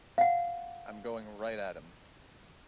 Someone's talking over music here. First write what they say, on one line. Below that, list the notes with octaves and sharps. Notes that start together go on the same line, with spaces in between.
I'm going right at him.
F5 F#5